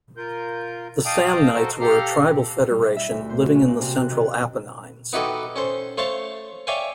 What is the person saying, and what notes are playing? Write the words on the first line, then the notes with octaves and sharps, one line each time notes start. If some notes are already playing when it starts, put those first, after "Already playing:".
The Samnites were a tribal federation living in the central Apennines.
F4 A#4 G6
D#5 F5 G5 A5 D6 D#6
F#4 A4 A#4 C5 A5
G4 A4 F5 A#5 F6
C4
G3
E4
E5
D2
C5
F#4
C#4
A#2
C3
F#6
D#3
B3 D#4 E4 F#4 G4 A4
C#4 A4 C5
A3 C5 C#5 F5 A5
C#5 D5 E5 F5 G5 G#5